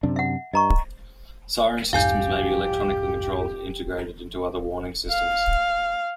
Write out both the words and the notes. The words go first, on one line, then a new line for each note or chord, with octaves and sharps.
Siren systems may be electronically controlled and integrated into other warning systems.
F#2 C3 D4
E5 F#5
G2 D#5 A#5 C#6
C2 F2 G#2 G4 F5 G#5 G6
F5